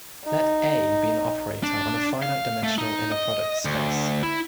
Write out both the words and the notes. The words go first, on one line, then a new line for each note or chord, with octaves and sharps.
Let "A" be an operator on a finite-dimensional inner product space.
D#4
D4
F5
A3
D#4
D#5
D2
E4